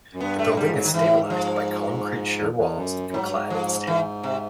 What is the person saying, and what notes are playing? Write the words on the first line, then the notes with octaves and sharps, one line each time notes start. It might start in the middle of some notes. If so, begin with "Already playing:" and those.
The building is stabilised by concrete shear walls and clad in steel.
F#2
G2 B3
A3
G#3
G#2 G3
F#3
D#3
G#2 E3
A2
G#2
F3
E2
E2
F#2
A2 F#3
G#2
G2
G#2
F3
E3
C3